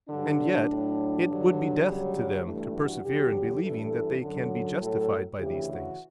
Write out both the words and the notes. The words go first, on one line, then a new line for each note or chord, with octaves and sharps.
And yet it would be death to them to persevere in believing that they can be justified by these things.
G2 D3 F#3 D4
A2 F#3
G2 D3 F#3
D2 C#3 F#3 G3
G2 E3 A3
F#4
E2 D3 F#3 G4
G2 E3 A4
F#2 D3 F#3 A4
A4
A2 F#3 A4
D2 C#3 E3 G4
F#4